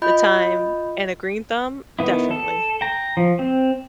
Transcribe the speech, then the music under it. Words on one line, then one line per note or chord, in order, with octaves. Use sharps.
the time, and a green thumb, definitely.
F4 D#5 B5 G6
D#3 B3 E4
A4
G5 A#5
F3
C4